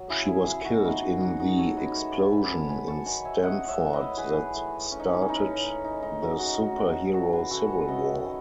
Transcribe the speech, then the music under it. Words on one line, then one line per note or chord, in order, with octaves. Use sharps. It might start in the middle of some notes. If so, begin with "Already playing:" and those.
She was killed in the explosion in Stamford that started the Superhero Civil War.
Already playing: F#3
C#3 E4 G#4
E4 G#4
C#3 E4 G#4
D#4 F#4
C#3 D#4
D#4
G#3 D#4 F#4
D#4 F#4
G#3 A4 C#5
B4 D#5
A3 C#5 E5
A5 C#6
D#3 G#5 B5
F#5 A5
F#3 G#5 B5
A5 C#6
D#3 G#5 B5
E5 G#5
A3 D#5 F#5
C#5 E5
A2
B4 D#5
E3 G#4 B4
A2
A2 C#4
D#4
C#4
D#4
C#4
A2 D#4
C#4
G#3
D#4
G#3 D#4
D#4 F#4
A3 D#4 F#4
D#4 F#4
C#3 F#4 A4
E3 F#4 A4
G#4 B4
C#3 F#4 A4
D#5 F#5
A3 B4 D#5
D#3